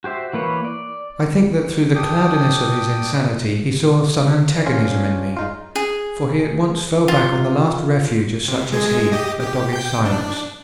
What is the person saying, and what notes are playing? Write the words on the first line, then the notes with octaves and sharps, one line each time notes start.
I think that through the cloudiness of his insanity he saw some antagonism in me, for he at once fell back on the last refuge of such as he--a dogged silence.
F#4 G4 C5 E5
E3 A#3 B4 C#5
D5
D4 G4 G5 D#6
D#3 F3 D4
C#4 F4
G#3 D#4 F4
G#4
F4
C3
G#3 G#4
G4 D#5
G4
G5 G6
D4